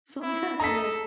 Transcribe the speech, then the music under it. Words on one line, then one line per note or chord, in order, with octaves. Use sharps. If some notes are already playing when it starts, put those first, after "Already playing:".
so I had to, like
E4
A4 D#5 A#5 B6